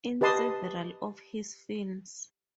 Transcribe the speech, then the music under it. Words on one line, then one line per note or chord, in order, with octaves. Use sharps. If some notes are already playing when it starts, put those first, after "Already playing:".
In several of his films.
G4 B4 D#5 A5 C6 D#6